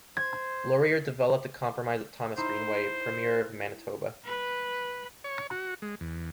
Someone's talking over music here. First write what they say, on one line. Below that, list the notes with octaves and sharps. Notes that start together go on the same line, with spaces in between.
Laurier developed a compromise with Thomas Greenway, Premier of Manitoba.
C5 G#6
D#4 E4 C5 C6
B4
C#5
F#4
G#3
E2